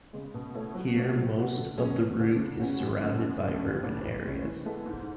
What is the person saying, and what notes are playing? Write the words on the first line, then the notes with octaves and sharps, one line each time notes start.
Here, most of the route is surrounded by urban areas.
C#3 G#3
B2
A3 E4 A4 C#5
F#3
A3 D4
F#3
B3 F#4
D3
F#3 C#4 G#4
E2
D3 A3 D4
C#3
E3 G#3 C#4 F#4
F#2
C#3 F#3 A3 E4
F#2
D3 A3 D4
C#2
C#3 E3 A3 D4
E3
G#3 C#4
E3
G#3 B3 E4 A4
G#2